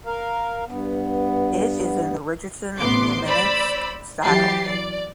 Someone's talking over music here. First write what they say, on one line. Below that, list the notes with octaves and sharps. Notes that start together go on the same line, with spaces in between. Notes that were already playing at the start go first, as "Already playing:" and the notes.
It is in the Richardson Romanesque style.
A#4 F5
G2 B3
A1 C3 B3 C6 D6
C5 D5 B5 E6
E3 F#3 G4 A6 C7
D5